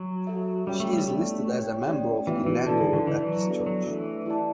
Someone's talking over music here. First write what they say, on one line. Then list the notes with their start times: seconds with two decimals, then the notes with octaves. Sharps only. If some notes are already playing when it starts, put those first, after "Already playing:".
She is listed as a member of the Landover Baptist Church.
Already playing: F#3
0.27 F#4 A4 E5
0.67 G3 C#4 G4 C#5 G5
0.80 A3
0.93 G3
1.07 A3 B3 D4 G4 D5
1.47 G4 C#5 G5
1.87 A3 C#4 G4 D5 G5
2.27 E3 B3 F#4 B4 E5
2.46 E3
2.66 D3 E4 A4 D5 A5
2.80 E3
2.93 D3
3.06 E3 E4 B4 D5
3.27 F#3
3.47 B3 D4 A4 D5
3.66 F#3
3.86 E3 A3 D4 A4
4.26 E4 G4 D5 A5